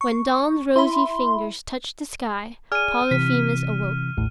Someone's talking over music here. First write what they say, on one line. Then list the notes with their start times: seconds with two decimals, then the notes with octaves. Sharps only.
When dawn's rosy fingers touched the sky, Polyphemus awoke.
0.01 C#6
0.76 E4 E5 B5 C6
2.72 G#4 D5 G#5 F6 D#7
3.11 C3 E3 B6
4.17 A1 D#2 A2